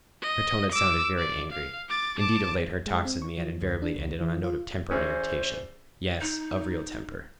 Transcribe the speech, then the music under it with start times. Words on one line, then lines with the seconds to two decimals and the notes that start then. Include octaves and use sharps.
Her tone had sounded very angry. Indeed, of late her talks with me had invariably ended on a note of temper and irritation--yes, of real temper.
0.21 D#5
0.72 D6 E6
1.18 D5
1.52 F5
1.89 D6 A6
2.19 A5 D6
2.86 G#3
3.05 C4
3.22 C#6
3.38 F3
3.62 D2
3.82 D4
3.98 C#2
4.21 E3
4.44 F4
4.91 E2 C#4 C5
6.21 D#4